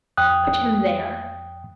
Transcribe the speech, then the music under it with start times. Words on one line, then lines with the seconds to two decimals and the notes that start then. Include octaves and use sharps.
"Put him there."
0.17 F2 G5 D#6 F#6